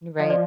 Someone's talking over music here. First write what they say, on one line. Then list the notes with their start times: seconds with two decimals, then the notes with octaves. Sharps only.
N right.
0.19 F3 D#5
0.30 D5